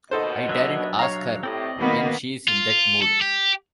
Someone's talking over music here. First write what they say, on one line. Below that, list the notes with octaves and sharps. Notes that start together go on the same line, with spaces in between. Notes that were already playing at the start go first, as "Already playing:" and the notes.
I daren't ask her when she's in that mood.
D#2 B2 D#4 A4 C5 D#5
F#3 D4 E5
C#5 F5 A#5
A2 C4 G4 D5 D#5
B2 D#3 A#3 B3
F4
A4
G4